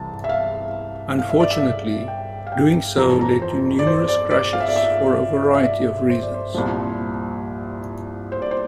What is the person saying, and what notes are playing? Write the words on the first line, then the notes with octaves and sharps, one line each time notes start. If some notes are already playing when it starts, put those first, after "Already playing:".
Unfortunately, doing so led to numerous crashes for a variety of reasons.
Already playing: C2 C3 E3 A5
E5
F5
F5
E5
D5
E5
G5
F5
G5
F2 E3 A#5
A5
A#5
C5
D5
C5
D5
D5
F5
E5
D5
E5
E5
D5
C5
D5
C5
C2 A#2 F3
C5
D5
C5